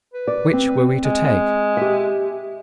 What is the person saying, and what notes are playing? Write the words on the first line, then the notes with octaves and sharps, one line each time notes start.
Which were we to take?
B4
D5
C4
G#3
G4 E5